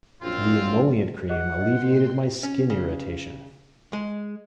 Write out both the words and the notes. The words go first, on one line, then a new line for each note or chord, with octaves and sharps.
The emollient cream alleviated my skin irritation.
A#1 F#2 C4 F4
G4 G#4 D#5 F#5
A#2 D#5 G5 C6
C#4
C#3
G#3